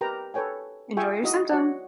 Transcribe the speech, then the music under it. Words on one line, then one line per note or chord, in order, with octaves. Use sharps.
Enjoy Your Symptom!
G4 A#4 B4 G5 A#5
A4 B4 C#5 G5 G#5
F4 G#4 E5 G5 G#5 C#6
D#4 E4 F#4 D#5
F#4 C#5 D5 F#5